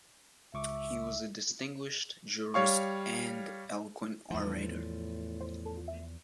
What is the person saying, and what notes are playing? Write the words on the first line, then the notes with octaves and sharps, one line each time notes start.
He was a distinguished jurist and eloquent orator.
C#2 E5 C#6 D6
G3 C#5 F5 C#6
E2 A2 F3